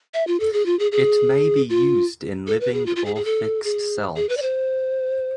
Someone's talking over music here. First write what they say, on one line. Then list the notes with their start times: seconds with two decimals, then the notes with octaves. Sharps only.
It may be used in living or fixed cells.
0.14 E5
0.27 F4
0.40 A4
0.53 G#4
0.66 F4
0.79 G#4
0.92 G#4
1.70 F4
2.47 A4
2.61 B4
2.74 G#4
2.86 F4
2.96 F4
3.05 G#4
3.16 G#4
3.25 A4
3.64 G#4
4.16 G#4
4.29 B4
4.37 D5
4.42 C5